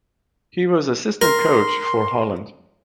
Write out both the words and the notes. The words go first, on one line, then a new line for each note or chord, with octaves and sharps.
He was Assistant Coach for Holland.
A#4 C6